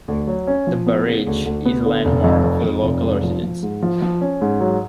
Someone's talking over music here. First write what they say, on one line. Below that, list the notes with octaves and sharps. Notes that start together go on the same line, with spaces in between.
The barrage is a landmark for the local residents.
D2
F#3
C#4
F3
B3
C#3
D2
D2
B3
D3
F1
F2
F2
F2
F1
G#2
F3
F3
G#2
F3
F3
C#4
G#2
F#3